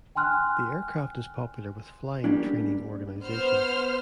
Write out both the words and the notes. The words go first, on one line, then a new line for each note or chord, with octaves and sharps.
The aircraft is popular with flying training organizations.
G5 G#5 C6 F6 F#6
G3 A#3 C#4 D4
B3 C5 F6